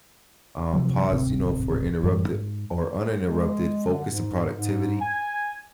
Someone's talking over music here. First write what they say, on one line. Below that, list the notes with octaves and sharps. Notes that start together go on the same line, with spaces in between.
um, pause, you know, for interrupte or uninterrupted focus and productivity
C3 F3 F#3
D1 G#1 C3 C4
A1 F#2 E3 G3
G#2
G#3
D3
G#2
G#2
G#5